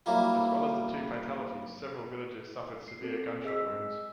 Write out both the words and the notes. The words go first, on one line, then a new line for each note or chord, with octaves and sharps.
As well as the two fatalities several villagers suffered severe gunshot wounds.
F#3 G3 A#3 E4 F4
C7
C4 A4
G#4 D#5 E6 B6